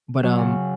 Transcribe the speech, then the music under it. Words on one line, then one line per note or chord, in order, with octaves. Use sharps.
but, um
F#3
C#3